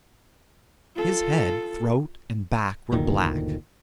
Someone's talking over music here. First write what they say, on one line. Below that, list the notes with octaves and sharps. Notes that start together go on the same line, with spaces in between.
His head, throat and back were black.
F4 A4
F#1 D2 A#2 D#3